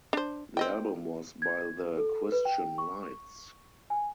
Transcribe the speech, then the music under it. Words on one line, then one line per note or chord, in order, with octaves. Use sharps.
The album was by the Christian Lights.
D4 C5
C4 D#5 G5
G#6
A4
B4
G5
C#6
G#5